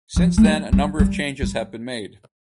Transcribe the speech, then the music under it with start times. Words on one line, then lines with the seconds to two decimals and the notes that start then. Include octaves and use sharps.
Since then, a number of changes have been made.
0.16 F3
0.37 A3
0.44 G3
0.72 G3
0.99 G3
1.42 G3